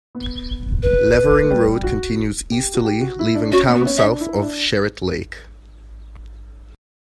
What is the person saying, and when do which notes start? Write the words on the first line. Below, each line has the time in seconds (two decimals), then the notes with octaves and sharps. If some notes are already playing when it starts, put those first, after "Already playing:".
Levering Road continues easterly leaving town south of Sherett Lake.
0.15 B3
0.83 B4
1.42 A3
1.50 G3
1.83 F#4
2.52 G4
2.74 F#4
2.85 G4
3.01 F#4
3.19 E4
3.35 D4
3.52 C#4 F#4
3.69 B3
3.75 F#4
3.82 B3
3.86 C#4
3.98 E5
4.03 D4
4.20 E4
4.42 D4